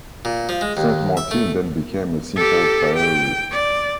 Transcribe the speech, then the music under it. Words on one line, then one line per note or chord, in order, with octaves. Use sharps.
Saint-Martin then became a simple priory.
A#2
F3
G#3
D#2
E5
A3
G4 A4
G5
D5